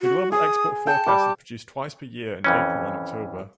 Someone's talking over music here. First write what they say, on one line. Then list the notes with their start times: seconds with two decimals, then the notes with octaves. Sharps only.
The Global Export Forecast is produced twice per year in April and October.
0.02 F#4
0.32 G#4 D#6
0.87 G5 A5
1.06 G3 G5 D6
2.44 F2 E3 C#4